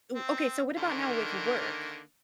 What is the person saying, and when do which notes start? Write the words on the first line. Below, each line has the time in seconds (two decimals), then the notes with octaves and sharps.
ooh, okay, so what about now with work?
0.15 C4
0.77 D3 D#3 A#3